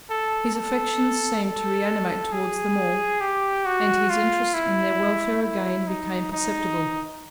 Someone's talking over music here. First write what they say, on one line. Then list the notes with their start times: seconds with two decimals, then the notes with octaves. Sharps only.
His affections seemed to reanimate towards them all, and his interest in their welfare again became perceptible.
0.10 A4
0.55 A4
1.43 A4
2.32 G#4
3.21 G4
3.66 F#4
4.10 F4
4.54 E4
5.43 E4
5.87 D#4
6.32 D#4